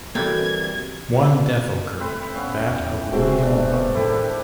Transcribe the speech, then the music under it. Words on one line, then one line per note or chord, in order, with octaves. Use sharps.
One death occurred, that of William Button.
C3 E3 G3 A#3 C4 F#4 A4 G#6
A3 C4 B4
B3 C#4 F5
E2 E3 G5
D#1 G#3 A3 C4 F#4 C5
B2 A3 D4
A#1 A2 D#3 E4 G4 A4